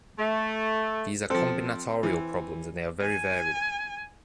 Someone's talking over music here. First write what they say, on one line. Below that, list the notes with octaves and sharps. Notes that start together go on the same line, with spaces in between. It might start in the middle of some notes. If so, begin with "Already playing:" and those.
These are combinatorial problems and they are very varied.
A3
F3 C4 A4
E3
G#5